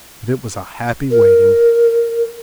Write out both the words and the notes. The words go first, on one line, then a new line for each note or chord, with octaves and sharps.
But it was a happy waiting.
A#4